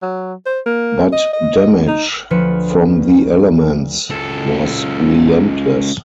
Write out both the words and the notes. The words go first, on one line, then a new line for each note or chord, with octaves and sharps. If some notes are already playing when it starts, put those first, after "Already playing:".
But damage from the elements was relentless.
F#3
C5
A#3
D#5
D#5
D#4
D2 F3 B4 C#7
C#2 A4